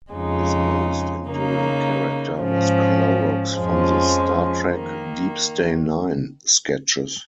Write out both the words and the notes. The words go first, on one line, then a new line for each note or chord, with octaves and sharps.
His most enduring character was Clorox from the "Star Trek: Deep Stain Nine" sketches.
F2 C#3 G#3 D#4
C#3 A#3 D#4
G#2 F3 C#4
F2 F3 G#3 C#4
D#3 A#3